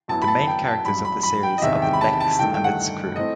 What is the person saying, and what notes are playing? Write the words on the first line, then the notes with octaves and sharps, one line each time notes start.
The main characters of the series are the Lexx and its crew.
F#2 F#3 B3 E4 A5
B5
A5
G5
A5
A1 G2 F#3 B5
B5
B5
G5
D#5
E2 C3 D#3 E5
G5
B5
A5
A5
G1 G2 D#3 A3 E4 G5
G5
F#5
E3 A3 C4 D#5